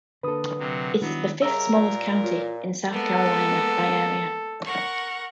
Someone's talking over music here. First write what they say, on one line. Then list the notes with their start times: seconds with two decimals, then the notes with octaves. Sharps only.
It is the fifth-smallest county in South Carolina by area.
0.23 D3 A#3 A4 B4 D#6
0.59 C3 F#3
1.01 D#3 F#3 B3 D4 E4
1.42 C#3 G3 A#4 D#5 E5 A#5 E6
1.74 A#2
2.24 F4 F#4 C#5
2.90 G#3 A#3 B3 A4
4.65 A#4 F#5 C#6